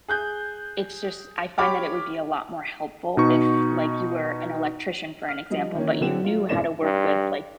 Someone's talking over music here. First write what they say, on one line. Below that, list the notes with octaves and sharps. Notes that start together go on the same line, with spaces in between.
it's just I find that it would be a lot more helpful if, like, you were an electrician for an example, but you knew how to work with, like,
G#4 F#6 G6
G4 C#5 B5 D6 F6
B2 D#4 C#6
F6
F3 G3 D#5
D#3 E3 A#3 C#4
D3 C4 E4 G4 G#4 E7
F#3 F4
F1 C#3 E4 D5 E7
G2